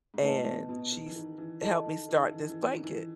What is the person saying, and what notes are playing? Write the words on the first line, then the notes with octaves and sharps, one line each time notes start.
and she's helped me start this blanket,
G#2
A2 B4 D#5 A5
B2
B2
D#3
E3
D#3
E3
E3 A4 D#5 A5
D#3
D#3
E3
E3
D#3
E3